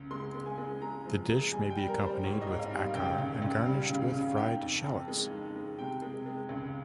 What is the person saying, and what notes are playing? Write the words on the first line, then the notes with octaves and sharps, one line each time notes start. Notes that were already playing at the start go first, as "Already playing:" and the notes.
The dish may be accompanied with acar and garnished with fried shallots.
Already playing: C#2
G#3 C6
G#3
G#5
G#3
G#3 A#5
F3
G#3
G3 G#5
G5
G3
A#4
G3
C5
G#2 C#5
D#5
G#2
F5
G3
F5
C#2 G5
C#2
C#2
G3 F5
C#3
F5
C#3
D#3 G5
F2
F2
G#3
D#3
G#3
C3 G5
G#3
G#3
C#2